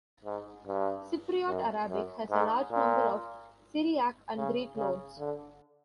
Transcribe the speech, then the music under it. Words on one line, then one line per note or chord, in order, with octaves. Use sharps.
Cypriot Arabic has a large number of Syriac and Greek loans.
G#2
G2
F#2
F#2
G#2
A#2
C#3
C#3
D3